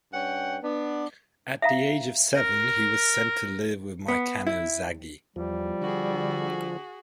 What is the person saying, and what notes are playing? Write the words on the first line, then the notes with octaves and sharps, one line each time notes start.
At the age of seven, he was sent to live with Maikano Zagi.
G2 C#4 F#5 G5
B3 D4
E5 F5 A#5
A#4
B3
E4
E2 F3 G3
D3 F#4 G#4